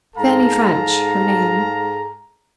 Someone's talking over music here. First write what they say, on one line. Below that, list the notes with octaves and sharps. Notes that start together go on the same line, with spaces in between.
Fanny French, her name.
G#2 G#4 A4 F5 A5 A#5